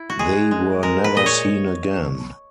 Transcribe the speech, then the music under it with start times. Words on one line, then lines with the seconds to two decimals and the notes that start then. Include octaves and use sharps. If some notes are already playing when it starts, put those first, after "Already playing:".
They were never seen again.
Already playing: E4
0.10 F#4
0.19 G#3 G#4
0.51 G#3
0.83 G#3 A#4
1.04 B4
1.15 A#2 D#5
1.26 C#5